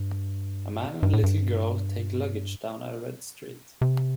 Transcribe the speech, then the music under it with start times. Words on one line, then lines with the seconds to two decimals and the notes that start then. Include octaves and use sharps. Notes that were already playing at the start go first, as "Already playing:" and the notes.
A man and a little girl take luggage down a red street.
Already playing: G2
1.03 G2
1.13 A2
1.23 G2
3.81 C3